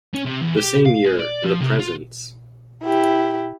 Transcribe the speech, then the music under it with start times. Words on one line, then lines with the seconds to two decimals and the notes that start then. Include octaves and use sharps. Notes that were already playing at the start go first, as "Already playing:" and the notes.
The same year, the Presents...
0.15 C#4
0.26 C3
0.41 E2
0.57 G4
0.86 F5
1.05 G#3
1.20 D5
1.44 F3
1.61 C3
1.79 F4
2.84 E4 G4